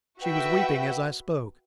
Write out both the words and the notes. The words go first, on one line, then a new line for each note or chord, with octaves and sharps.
She was weeping as I spoke.
F#4 B4 E5 G5